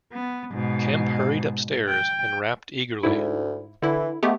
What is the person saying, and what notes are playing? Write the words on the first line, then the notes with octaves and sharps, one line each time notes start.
Kemp hurried upstairs and rapped eagerly.
B3
G#2 B2
G5
D2 G#2 E4
D3 E3 E4
G#3 A3 B3 G4